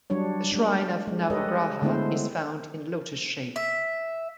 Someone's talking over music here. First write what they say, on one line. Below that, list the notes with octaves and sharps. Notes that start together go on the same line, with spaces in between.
The shrine of Navagraha is found in lotus shape.
F#3 G3 D4 C#5
G#3 D4
G#3
G4 A4 B4 C#5 D#5
D3 G#3 A3 B3 E4 C5
E5